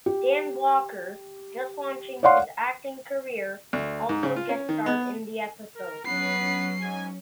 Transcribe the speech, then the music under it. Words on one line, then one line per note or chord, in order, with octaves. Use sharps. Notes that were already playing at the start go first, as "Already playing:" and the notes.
Dan Blocker, just launching his acting career, also guest starred in the episode.
G4
C#5 D5 F5 F#5 C6
D2
G#2
C#3
F4
C#4
D#3
B3
A#4
F#3 B3 C#4 B4 C7
G#2 G#5